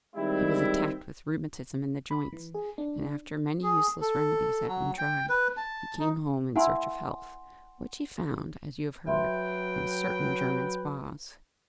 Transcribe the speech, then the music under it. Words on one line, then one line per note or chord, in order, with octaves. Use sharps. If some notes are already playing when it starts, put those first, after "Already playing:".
He was attacked with rheumatism in the joints; and after many useless remedies had been tried, he came home in search of health, which he found, as you have heard, in certain German spas.
D#3 G3 G#3 C4 E4
B5
E3
G#4
D4
G#4
A4
F#3
G5
B4
A5
D#4
E4 F#5 G#5 C6
F#3 B4 E5 G5 C6